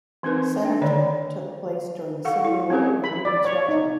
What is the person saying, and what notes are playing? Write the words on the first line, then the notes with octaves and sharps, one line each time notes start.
Senator took place during the Civil War and Reconstruction.
E3 C4 D#4 A#4 B4
D4 G5
D3 D#3 C#5 D5
A4 F5 F#5 C#6
E4
C4 C#4 G4 G#4 A#4
B5
D5
C#5
D#4